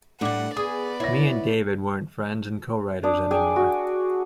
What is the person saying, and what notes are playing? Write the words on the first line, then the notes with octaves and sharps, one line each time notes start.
Me and David weren't friends and co-writers anymore.
A2 G3 A3 D4 F#5 D6
B3 G#4 D5 D#6
E4 C#5 A#6
D4 D6 D#6
G#4 D5 G5 G#5
F#4